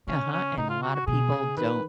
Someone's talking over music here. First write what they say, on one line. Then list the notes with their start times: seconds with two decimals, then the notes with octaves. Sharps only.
Uh-huh, and a lotta people don't
0.07 C#3 C#4
0.32 C#4
0.57 C#3 D#4
0.70 F4
0.83 F#4
0.94 F#4
1.07 B2 G#4
1.32 C#3
1.57 D#3 B4